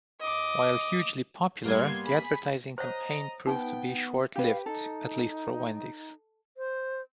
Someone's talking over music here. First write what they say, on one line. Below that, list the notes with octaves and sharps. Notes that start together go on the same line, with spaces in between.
While hugely popular, the advertising campaign proved to be short-lived, at least for Wendy's.
D#5 D6
G2 G3 A#3 B3 C6 G#6
G#4 B5
C5 C#5 D#5 F#5 A#5
B3 D#4 G5
G4 B4 F5
D#4 A4
C5